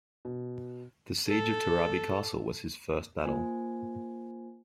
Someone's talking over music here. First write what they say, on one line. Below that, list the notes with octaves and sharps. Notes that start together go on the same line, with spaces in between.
The Siege of Terabe Castle was his first battle.
B2
A4
A#3 F4 C5 G#5